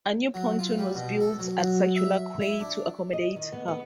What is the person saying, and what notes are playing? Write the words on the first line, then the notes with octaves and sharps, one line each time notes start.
A new pontoon was built at Circular Quay to accommodate her.
F#3
F4
G3
B2
A4
F#3
F#3
E5
E4
D4
D#5
D#3
B3
B3